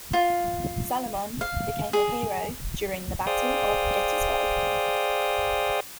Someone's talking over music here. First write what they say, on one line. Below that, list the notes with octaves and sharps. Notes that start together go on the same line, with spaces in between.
Salomon became a hero during the Battle of Gettysburg.
F4
F5
G#4
G#4 C5 D5 F5 G5 D#6